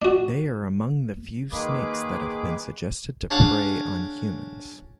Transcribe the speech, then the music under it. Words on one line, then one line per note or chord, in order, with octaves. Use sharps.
They are among the few snakes that have been suggested to prey on humans.
D4 F#4
D#3 G#3 A#3 G#4 B4 D6
C#4 D4 G#4 F5 F#5